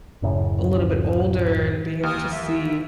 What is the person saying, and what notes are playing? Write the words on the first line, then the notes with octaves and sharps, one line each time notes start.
a little bit older, and being able to see
D1 F#2 A2 C#3
D#2 D#6 F6
E5